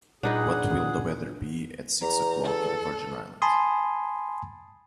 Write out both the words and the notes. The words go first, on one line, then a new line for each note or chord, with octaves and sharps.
What will the weather be at six o'clock in the Virgin Islands?
A#2 D4 D#4 G#4 B4 F#5
E2 A#5
A4
G#5 A5 B5 C6 D#6